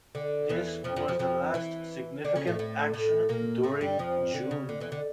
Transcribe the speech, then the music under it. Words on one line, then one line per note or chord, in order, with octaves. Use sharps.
This was the last significant action during June.
D3
E2 E3
F2 F3
F2 F3
F2 F3
F2 F3
E3 E4
D3 D4
C#3 C#4
A2 A3
A2 A3
A2 A3
A#2 A#3
A2 A3
G2 G3
F2 F3
D3
C#3
D3
E2 E3
D3